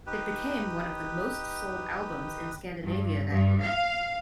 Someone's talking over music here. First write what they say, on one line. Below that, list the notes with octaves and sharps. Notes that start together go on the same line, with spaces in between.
It became one of the most-sold albums in Scandinavia that year.
D#4 G4 B4
G2
G2
F5